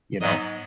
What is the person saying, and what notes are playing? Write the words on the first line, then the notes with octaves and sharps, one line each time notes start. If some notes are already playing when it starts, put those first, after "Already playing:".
you know,
G#2 F#3 B3 D#5